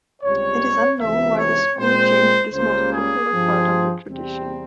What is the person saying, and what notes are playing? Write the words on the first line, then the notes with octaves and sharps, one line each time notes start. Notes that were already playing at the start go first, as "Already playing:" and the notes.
It is unknown why the school changed this most popular part of the tradition.
C#2 C3 G3 C#5
C#2 C3 E3 E5
C#5
A#2 G#3 C4 C5
C#2 C#3 G3 A#3 C5
G#4
G2 F3 C4
E2 C3 G3 C4